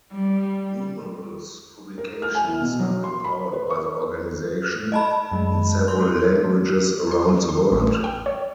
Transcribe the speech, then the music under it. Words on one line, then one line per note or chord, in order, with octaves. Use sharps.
Numerous publications are put out by the organisation, in several languages around the world.
G3
A#4
F6
G#5
E4
B2
F#3
C6
B5
B4
C#6
D#5 A5 B5
F#2 G#3
C6 G6
C6
C6
A1
G5
C#5